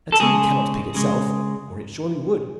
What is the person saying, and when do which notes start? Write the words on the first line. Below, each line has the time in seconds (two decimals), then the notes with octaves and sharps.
A team cannot pick itself, or it surely would.
0.12 A4
0.20 C#3 G#3 G#4
0.95 C#3 G#3